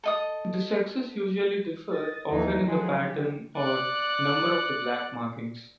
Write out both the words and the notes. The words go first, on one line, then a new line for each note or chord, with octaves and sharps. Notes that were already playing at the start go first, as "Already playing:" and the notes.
The sexes usually differ, often in the pattern or number of the black markings.
A4 D#5 D#6
D#5 A6
D#2 E3 F3 D#4
D#3 F3 F#3 G#3 D#4
D#3 G4
D5 F#5